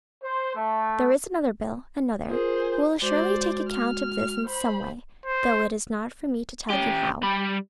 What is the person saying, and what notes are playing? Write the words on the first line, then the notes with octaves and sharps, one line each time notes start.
There is another, Bill, another, who will surely take account of this in some way, though it is not for me to tell you how.
C5
A3
F4 G#4 A#4 C5
G#3 F#4 C5 D5
F6
C5 B5
C5
C#4 G4
G3 B5